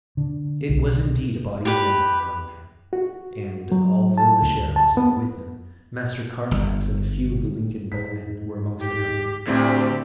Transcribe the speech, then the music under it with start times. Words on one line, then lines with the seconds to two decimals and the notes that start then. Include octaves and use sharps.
It was indeed a body of men from Nottingham; and, although the Sheriff was not with them, Master Carfax and a few of the Lincoln bowmen were amongst the company.
0.17 D3
0.69 B1
1.65 G4 B4
2.93 F#4
3.72 F#3
4.18 A5
4.42 D2
4.76 A5
4.97 B3
6.51 G1
7.92 G#2 B6
8.80 G4
9.47 D2 A2 C4 D4 G4